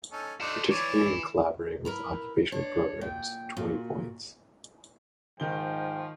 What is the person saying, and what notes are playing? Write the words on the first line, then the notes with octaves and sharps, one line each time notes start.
Participating and collaborating with occupational programs, twenty points.
C#4 D#4 A4
A3 D4 D#4 A4 C5
E3 C#5 D5
E4 A#4 B4 A#5
D4 C#5
A#2 G5
A#2 F#4
G#2 D#3 F3 G5 G7